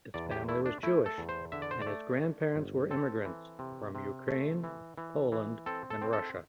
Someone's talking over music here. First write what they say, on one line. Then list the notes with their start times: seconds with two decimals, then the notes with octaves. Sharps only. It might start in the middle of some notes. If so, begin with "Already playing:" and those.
His family was Jewish, and his grandparents were immigrants from Ukraine, Poland, and Russia.
0.14 E2 D5
0.31 G4
0.48 A3 E4
0.66 D4
0.83 A3 E4
1.06 A4
1.18 E2
1.29 C5
1.52 D3 E5
1.62 D5
1.71 C5
1.82 A3 D5
2.22 A3
2.56 G1
2.91 C4 A4
3.25 E3
3.59 C3
3.95 C3
4.28 A3
4.64 E3
4.98 E3
5.32 E3
5.66 C4 A4
5.90 A4
6.02 C4
6.13 A4